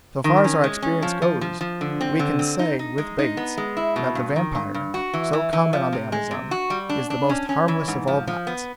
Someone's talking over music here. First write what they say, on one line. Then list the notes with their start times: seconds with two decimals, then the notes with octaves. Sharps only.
So far as our experience goes, we can say, with Bates, that the vampire, so common on the Amazon, is the most harmless of all bats.
0.24 D#3
0.44 C#4
0.64 G#3
0.82 C#4
1.02 F3
1.22 F3
1.41 F3
1.61 F3
1.81 D3
2.01 C4
2.19 D3
2.39 C4
2.59 D#4
2.79 D#4
2.98 G#3
3.19 D#4
3.37 B3
3.58 G#3
3.77 E4
3.96 B2
4.15 G2
4.36 D#3
4.55 G2
4.74 G2
4.94 F#4
5.14 E3
5.33 E3
5.53 E3
5.73 F3
5.93 C3
6.12 G#3
6.31 C3
6.51 F#4
6.70 G3
6.89 D4
7.10 D4
7.29 C#4
7.49 C#4
7.68 E3
7.88 G#2
8.07 F3
8.28 F3
8.47 B3